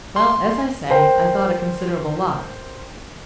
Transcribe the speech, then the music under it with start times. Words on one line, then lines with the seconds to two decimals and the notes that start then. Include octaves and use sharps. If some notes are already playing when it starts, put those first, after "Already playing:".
Well, as I say, I thought a considerable lot.
0.16 C6
0.90 A#4 C5 G5